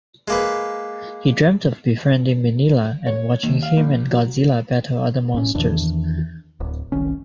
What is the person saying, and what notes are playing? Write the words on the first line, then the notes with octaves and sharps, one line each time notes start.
He dreamt of befriending Minilla and watching him and Godzilla battle other monsters.
G#3 A#3 B4
C#5
D#2
F5
A#1
F#3
A2 C#4
E2 D#3 E3 D4
D1
F#1 C2 D#3 C#4